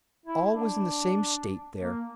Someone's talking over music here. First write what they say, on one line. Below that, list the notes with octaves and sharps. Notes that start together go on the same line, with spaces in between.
All was in the same state there.
E4
D4
A#3